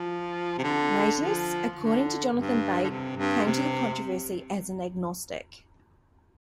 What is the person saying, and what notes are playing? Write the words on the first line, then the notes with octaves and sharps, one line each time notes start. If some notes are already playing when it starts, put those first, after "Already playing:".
Matus, according to Jonathan Bate, came to the controversy as an agnostic.
Already playing: F3
C3
D3
F3
D3
G2
D3
C3
G2
C3